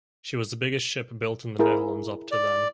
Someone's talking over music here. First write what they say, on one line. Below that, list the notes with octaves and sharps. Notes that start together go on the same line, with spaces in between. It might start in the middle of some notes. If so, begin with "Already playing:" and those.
She was the biggest ship built in the Netherlands up to then.
E4 G#4 A#4
D5